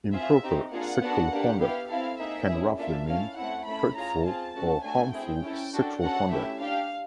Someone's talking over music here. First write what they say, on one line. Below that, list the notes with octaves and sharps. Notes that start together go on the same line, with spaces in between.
Improper sexual conduct can roughly mean 'hurtful or harmful' sexual conduct.
C4 F4 G#4 E5
C4 D#4 G4
A#3 D4 F4 G#4 F#5
B3 D4 F#4 A4
A#3 D4 G4
B3 E4 G4 F5
C4 E4 A4 F5
A#3 D#4 G#4 E5
C#4 E4 G#4
A#3 D4 F4 A4 E5
C#4 E4 A4 F5
A3 C4 E4 F#5
A3 C#4 E4 A4 B5
C#4 F4 G#4 A#5
C4 F4 G#4 A5
A3 C#4 F#4 A4
A3 D4 F#4 A4 G#5
C4 E4 G#4 G5
C#4 E4 A4
D4 F#4 A4
C#4 F#4 A4 F#5
A3 C#4 E4 G4 E5
D4 G4 F5